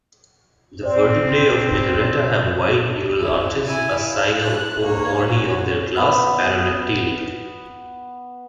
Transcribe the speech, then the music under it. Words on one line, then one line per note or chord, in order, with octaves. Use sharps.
The vertebrae of 'Milleretta' have wide neural arches, a synapomorhy of their class, parareptilia.
C4 C5 D5
E4
E4 G#5
F5
F#6
A#3 C#5
C#4 F#4
B3 B4